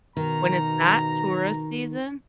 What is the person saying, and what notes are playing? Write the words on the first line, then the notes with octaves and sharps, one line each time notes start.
when it's not tourist season,
B2 D#3 A#5